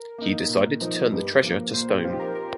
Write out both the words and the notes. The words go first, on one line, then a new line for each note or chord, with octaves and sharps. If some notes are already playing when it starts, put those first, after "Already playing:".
He decided to turn the treasure to stone.
Already playing: A#4
A#3 D#4
A#2
F3 D#4
G2
F3 A#3
A#2 C5
G4
F3 C4 D#4 F4
G4
A#4
A#4